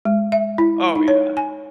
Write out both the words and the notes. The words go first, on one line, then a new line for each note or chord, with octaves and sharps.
Oh yeah.
G#3
E5
E4
D#4
C#5
G#5